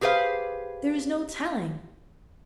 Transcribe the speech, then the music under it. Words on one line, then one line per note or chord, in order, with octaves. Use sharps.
'There is no telling.
G4 G#4 B4 C5 F5